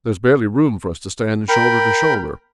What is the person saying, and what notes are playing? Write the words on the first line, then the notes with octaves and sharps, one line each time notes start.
There was barely room for us to stand, shoulder to shoulder.
A#4 G5 B5